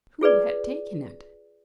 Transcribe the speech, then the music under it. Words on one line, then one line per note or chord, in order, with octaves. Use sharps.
Who had taken it?
F4 G#4 B4 D5